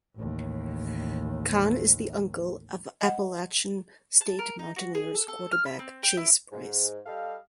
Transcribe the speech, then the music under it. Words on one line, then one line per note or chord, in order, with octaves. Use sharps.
Conn is the uncle of Appalachian State Mountaineers quarterback Chase Brice.
A1 D#2
D#5 F#5
A5
A#4
D#4
F#4
G#4
A4
A4
F6
B5
C4
G5
E4
G#2
G3 G4 A4 D#5 F5